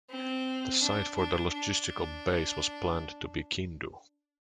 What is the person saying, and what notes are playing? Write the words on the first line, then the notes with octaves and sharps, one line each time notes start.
The site for the logistical base was planned to be Kindu.
C4
D4
D4
D4